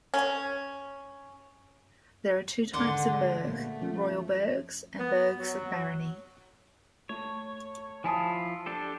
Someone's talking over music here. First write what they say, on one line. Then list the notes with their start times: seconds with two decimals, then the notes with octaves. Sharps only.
There are two types of burgh: royal burghs and burghs of barony.
0.14 C#4
2.73 D#2 G#2 D3 F#5 C6 D6
3.10 G#3
3.45 A#1 B2 A3 A#3
3.81 F3 C#4
4.97 B3
5.39 F#3
7.09 A3 C#5
8.04 F3 E4 F4 G#5 A5 D#6
8.66 D4 G4 A4